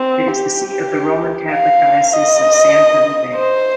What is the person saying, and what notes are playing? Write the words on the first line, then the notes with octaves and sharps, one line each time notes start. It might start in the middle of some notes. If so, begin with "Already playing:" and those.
It is the seat of the Roman Catholic Diocese of San Felipe.
Already playing: C4
G4
F5
D#5
C5